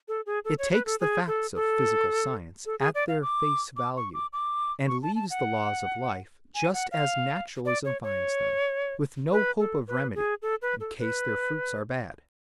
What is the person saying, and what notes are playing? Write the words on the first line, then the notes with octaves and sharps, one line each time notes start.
It takes the facts of physical science at their face-value, and leaves the laws of life just as naturalism finds them, with no hope of remedy, in case their fruits are bad.
A4
G#4
A4
C#5
B4
A4
G#4
A4
A4
A4
G#4
D5
F5
D6
D6
C#6
D6
D6
C#6
A5
A5
F#5
G#5
F#5
F5
D5
C#5
C#5
B4
A4
B4
G#4
A4
B4
A4
B4